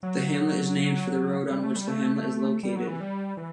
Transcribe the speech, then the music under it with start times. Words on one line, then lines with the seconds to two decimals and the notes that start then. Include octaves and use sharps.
The hamlet is named for the road on which the hamlet is located.
0.03 F#3
1.51 G3
1.63 A3
1.76 G3
1.88 A3
2.63 G3
2.75 F#3
2.87 E3
3.00 G3
3.37 E3